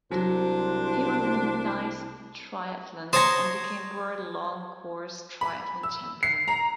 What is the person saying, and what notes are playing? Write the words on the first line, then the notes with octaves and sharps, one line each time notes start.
He won the Nice Triathlon and became World Long Course Triathlon Champion.
C2 F#3 D4 C5
C5 C#5 A5 A#5 D#6
B5
E6
C7
A#5